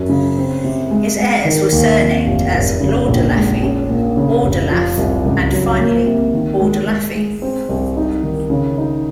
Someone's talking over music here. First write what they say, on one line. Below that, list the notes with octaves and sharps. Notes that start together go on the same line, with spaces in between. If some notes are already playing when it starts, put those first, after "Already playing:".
His heirs were surnamed as "Lordelaffi", "Ordelaf" and finally "Ordelaffi".
Already playing: F#2
C#3
C4
C3
G#3
G#3
D#3
D#2
C3
F1
F1
C#3
A#1
G#3
C#4
A#2
C#3
F1
F3
C2
C#2
F#3
A#3
C3
D#3
G#3
G#3
G#3
C4
C2
D#4
D#3
C#3
D#4